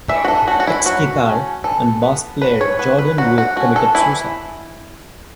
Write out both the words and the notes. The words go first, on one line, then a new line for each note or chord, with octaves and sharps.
Ex-guitar and bass player Jordan Wood committed suicide.
E3 E5
F#4
A4
A3 C#4 F#4
F#4
E4
F#3 F#4
A3 C#4
E3 A4
B3
F#3 B4
C#5
B3 B4
B4
F#3 F#4
F#4
A3 C#4 F#4
A4
E3 E4